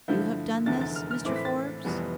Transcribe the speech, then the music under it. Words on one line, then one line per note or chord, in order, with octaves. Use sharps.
"You have done this, Mr. Forbes?"
G2 D3 F3 A3 E4 G6
F1 E2 D3 A3 E4 A6
A6
F6
F6
A2 E3 A3 C4 E4 D6
B6
A6
F1 F2 E3 G3 B3